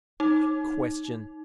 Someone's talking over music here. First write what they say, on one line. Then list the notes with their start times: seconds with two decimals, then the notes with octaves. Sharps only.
"What a question!"
0.20 D#4